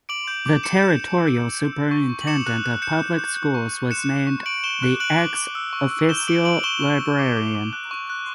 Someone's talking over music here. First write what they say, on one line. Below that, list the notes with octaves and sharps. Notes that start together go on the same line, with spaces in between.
The Territorial Superintendent of Public Schools was named the Ex Officio Librarian.
D6 D7 F#7
G6
D6
D6 C#7 E7
G6
G6
E6
G6
G6
E6
C#6
C#6
F#7
D6 C#7 E7
F#6
F#6
G6 C#7 E7
G6
G6
G6
C#6
G6
F#6 C#7 E7
F#6
C#6
C#6 D7 F#7
C#6 E7 G7
F#6
F#6 D7 F#7
D6
D6
E6
C#6
E6
G6 E7 G7
D6 D7 F#7
D6 D7 F#7
C#6 E7 G7
C#6
E6
D6
D6
D6
F#6
C#6
F#6